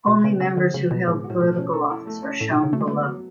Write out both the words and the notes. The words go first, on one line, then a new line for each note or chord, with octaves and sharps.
Only members who held political office are shown below.
B2 G#3
C#3 B3
C#3 G#3
D3 F#4
C#3 G#3
B2 B3
A2 G#3
F#4
A2
B2 A3
B2 C#4
A4
E4
A3
C#4
A2 A4
B2
E4
C#3
F#3 A3
G#3
A3 B3
F#3